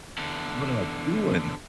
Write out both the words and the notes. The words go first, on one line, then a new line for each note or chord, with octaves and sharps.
"What am I doing?"
E2 D3